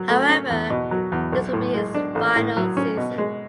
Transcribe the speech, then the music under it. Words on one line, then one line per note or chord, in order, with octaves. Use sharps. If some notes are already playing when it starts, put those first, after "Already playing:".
However this would be his final season.
Already playing: F#3
A3
C#4
E2
B2
F#3
E2
B1
A2
G#3
D4
A1
A2
F#3
C#4
B2
G#3